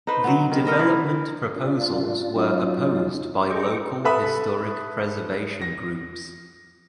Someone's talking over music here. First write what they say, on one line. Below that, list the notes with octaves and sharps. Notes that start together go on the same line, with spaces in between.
The development proposals were opposed by local historic preservation groups.
D#4 B4 C5
F#3 B3
D#3
A#4 D#5 E5
E3
D4 F4
F#3 C#4 D#4 F4
G#4 A4 D#5 G5 C#6 D6
A4 B4 E5 B5 D#6
A#6